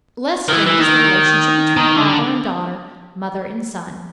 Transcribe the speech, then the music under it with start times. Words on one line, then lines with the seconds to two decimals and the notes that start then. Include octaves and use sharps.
Less strained is the relationship between father and daughter, mother and son.
0.49 D#3
0.53 E3
0.66 E3
0.80 D#3
1.77 D#3
1.96 D3